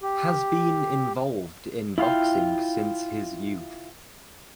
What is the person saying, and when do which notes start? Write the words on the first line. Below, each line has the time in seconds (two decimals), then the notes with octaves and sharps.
Has been involved in boxing since his youth.
0.02 G4
1.98 E4 F4 F5 G5